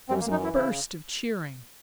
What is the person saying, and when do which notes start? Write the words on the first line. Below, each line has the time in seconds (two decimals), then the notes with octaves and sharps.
There was a burst of cheering.
0.09 F#2 C4
0.20 A#3
0.24 F#2
0.31 D#4
0.40 E3 E4
0.54 C#3 E4